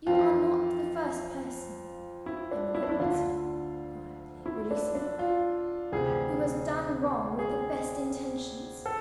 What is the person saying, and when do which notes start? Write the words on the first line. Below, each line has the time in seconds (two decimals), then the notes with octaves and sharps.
"You are not the first person," Emily answered, quietly releasing her, "who has done wrong with the best intentions."
0.06 F2 E3 F4
2.26 E4
2.51 D4
2.75 E4
2.83 D4
2.89 E4
2.99 D2 D3 F4
4.46 E4
4.71 D4
4.95 D4
5.19 F4
5.92 D2 C3 E3 G#4
7.39 G#4
8.86 A4